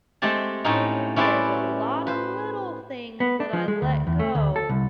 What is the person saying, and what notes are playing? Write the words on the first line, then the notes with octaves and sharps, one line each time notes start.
there's a lot of little things that I let go.
G#3 A3 C4 G4 A5
A2 A3 C4 C#4 D#4
C#4 E4 G4 B4 C5 D5
B4 C5
B3
D4
F3
G#3
D2
E2
A3
D2
A4
C2